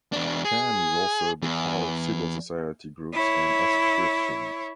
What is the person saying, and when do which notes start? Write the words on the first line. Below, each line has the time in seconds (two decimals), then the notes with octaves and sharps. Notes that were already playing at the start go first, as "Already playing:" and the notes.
Khan is also the part of civil society groups and associations.
0.12 E2 D4
0.45 G#4
1.42 E2
3.13 E4 C#5